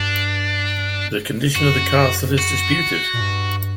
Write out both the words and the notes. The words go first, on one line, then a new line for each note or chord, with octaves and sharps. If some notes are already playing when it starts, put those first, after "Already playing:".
The condition of the castle is disputed.
Already playing: G2 D4
F#2 F#4
F#4
A#2
G2